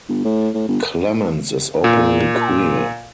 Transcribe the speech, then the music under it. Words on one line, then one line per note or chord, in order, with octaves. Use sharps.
Clemens is openly queer.
G1
A2
A2
G1
A#2